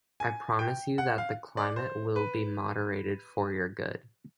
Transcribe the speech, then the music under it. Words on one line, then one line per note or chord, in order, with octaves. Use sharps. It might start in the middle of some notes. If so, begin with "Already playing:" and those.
I promise you that the climate will be moderated for your good.
G#5
G5
F#5
F5
D5
C5
B4